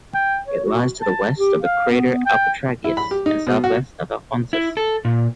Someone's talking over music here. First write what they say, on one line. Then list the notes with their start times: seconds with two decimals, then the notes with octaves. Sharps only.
It lies to the west of the crater Alpetragius, and southwest of Alphonsus.
0.14 G5
0.47 C#5
0.65 F#4
1.02 A5
1.38 G4
1.62 F5
1.91 B3
2.26 G5
2.84 E4
2.97 B5
3.11 G4
3.26 D#4
3.47 B2
3.64 F#4
4.53 E4
4.77 A4
5.05 A#2